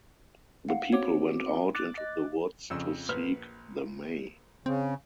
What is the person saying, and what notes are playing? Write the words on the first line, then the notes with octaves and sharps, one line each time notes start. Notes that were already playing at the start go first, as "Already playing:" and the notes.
The people went out into the woods to seek the May.
F5 F#5
C4 F#4 C#5 D6
D6 F#6 A6
D#5
F2 C#3 E6
A#1 B4 F6
C#3 C4